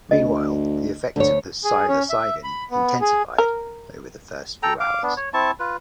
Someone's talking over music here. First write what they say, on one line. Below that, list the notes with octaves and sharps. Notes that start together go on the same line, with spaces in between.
Meanwhile, the effects of the psilocybin intensified over the first few hours.
D2 D#5
D2 D3 C#5
G#4
C#4
E5
B5
B3
G#4
A#4
A4 G5 A#5
F5 D6
B3 D4
C#5
C4 E4 A5 C#6
F4 B4